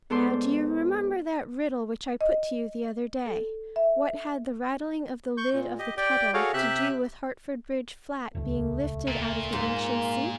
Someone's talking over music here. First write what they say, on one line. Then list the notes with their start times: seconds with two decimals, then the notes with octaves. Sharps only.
Now do you remember that riddle which I put to you the other day?--"What had the rattling of the lid of the kettle to do with Hartford Bridge Flat being lifted out of the ancient sea?"
0.10 G#2 B3 A4 C5 D5 C6
2.21 D#5
3.26 A4
3.76 E5
5.37 C#6 G6
5.53 A#2
5.79 G4 D#5
5.97 G4 D5 G5
6.34 F#4 G#4 A4 C#5 F5
6.54 C3 G4 E5 F#6
8.35 D#1 C#2 A3
9.08 A#2
9.53 G#2 A#3